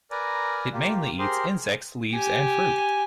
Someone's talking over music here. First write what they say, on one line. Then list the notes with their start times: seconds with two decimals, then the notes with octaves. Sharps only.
It mainly eats insects, leaves, and fruit.
0.11 A#4 B4 D5 G#5 A#5
0.73 A#3 F4 G4
1.19 G4 G#4 A#4 C5 C6
2.14 G4 G#5